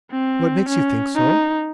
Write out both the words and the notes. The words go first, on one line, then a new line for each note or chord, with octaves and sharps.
"What makes you think so?"
C4
C#4
D#4